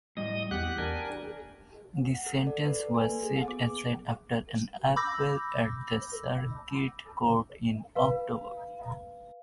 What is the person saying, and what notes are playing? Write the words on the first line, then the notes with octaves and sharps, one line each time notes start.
This sentence was set aside after an appeal at the circuit court in October.
A2 G3 D#5 D#6
E2 B3 G4 F#5 F#6
D4 G4 A#4 G#5
F#5
A4
D5
B4
A4
G#5
A#3
G#4
B3
D6
B5 D6 E6 G6 A#6
B4 F5